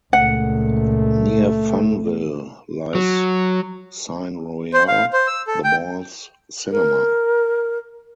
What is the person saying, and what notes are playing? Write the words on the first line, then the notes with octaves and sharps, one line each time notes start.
Near Funville lies Cine Royal, the mall's cinema.
C#2 A#2 A3 F#5
F#3
C5
F5
C5
E6
A4
G5
A#4